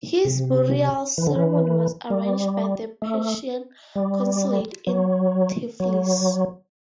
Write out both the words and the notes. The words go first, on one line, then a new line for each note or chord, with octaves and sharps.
His burial ceremony was arranged by the Persian consulate in Tiflis.
C3
E3
D3
E3
G3
A3
G3
F#3
F#3